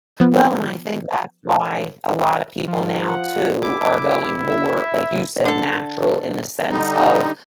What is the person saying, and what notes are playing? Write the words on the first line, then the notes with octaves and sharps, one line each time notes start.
Well and I think that's why a lot of people now, too, are going more, like you said, natural in the sense of
F3 B3
F3
F#5
E4 D6
E5
D3 A4
D3 G3 D#4